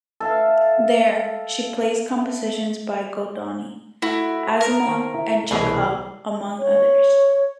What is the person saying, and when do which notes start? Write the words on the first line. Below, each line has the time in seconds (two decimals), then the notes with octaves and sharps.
There, she plays compositions by Goldoni, Azama and Chekhov, among others.
0.20 A4 E5 F5
4.02 A3 E4 F#4
4.61 A#4
4.85 D#3 C5 A5
5.14 E4
5.51 C2 B2 E3 G#4
6.59 C#5